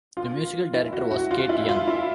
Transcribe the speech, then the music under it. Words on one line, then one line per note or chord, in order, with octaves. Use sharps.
The Musical Director was Kate Young.
F4
E4
F#4
F#4
F4
E4
F4
E4